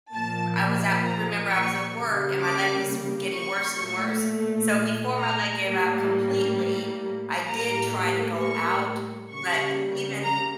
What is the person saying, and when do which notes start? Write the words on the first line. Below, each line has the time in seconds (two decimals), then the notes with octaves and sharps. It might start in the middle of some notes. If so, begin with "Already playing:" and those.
I was at remember I was at work and my leg was w getting worse and worse. So before my leg gave out completely, I did try to go out. But even
0.13 A#2 F3 A#3 A5
1.06 A#5
1.51 C#6
1.97 C#3 G3 A#3
2.43 D6
3.35 C#6
3.80 A#2 A3
5.18 A#5
5.64 A2 G3 A#3
7.47 A2 G3 A#3 A#5
8.40 C#6
9.31 C#3 G3 A#3 C#6
10.23 A#5